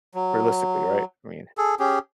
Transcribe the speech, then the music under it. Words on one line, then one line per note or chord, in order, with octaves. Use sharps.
realistically, right? I mean
F#3
G#4 A4
C#4 G4 G#4